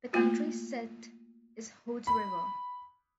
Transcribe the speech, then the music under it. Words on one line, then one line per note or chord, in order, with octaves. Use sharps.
The county seat is Hood River.
A3 A#3 F4 F#4
B5